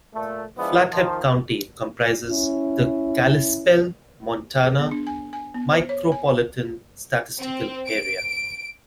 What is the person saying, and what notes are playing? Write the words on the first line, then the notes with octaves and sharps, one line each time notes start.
Flathead County comprises the Kalispell, Montana Micropolitan Statistical Area.
A#2 A3
F3 G#3 B3 D4 E4
D#3 F3
C#4 E4
G#4
B3
D4
G#5
G#5
B3
C5
C#5
G#5
C4
D7